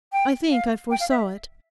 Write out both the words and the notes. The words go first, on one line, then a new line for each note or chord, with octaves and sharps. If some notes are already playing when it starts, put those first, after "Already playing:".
I think I foresaw it.
G5
F5
G5
F5
E5